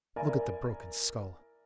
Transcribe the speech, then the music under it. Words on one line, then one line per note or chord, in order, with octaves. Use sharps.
'Look at the broken scull.
E4 A#4 D5 G#5